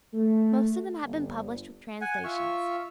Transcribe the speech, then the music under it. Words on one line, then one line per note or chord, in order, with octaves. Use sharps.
Most of them have been published with translations.
A3
G1
F#5 G#5
F4 E5 F5 C#6